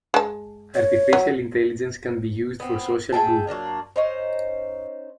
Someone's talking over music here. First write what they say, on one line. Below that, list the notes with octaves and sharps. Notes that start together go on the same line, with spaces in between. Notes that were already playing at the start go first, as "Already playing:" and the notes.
Artificial Intelligence can be used for social good.
G#3 A5
C#5
F#3
B3 C4
G#4 E5 G5 A5
F#3 A#3 D4 F4
C#4 D#4 C5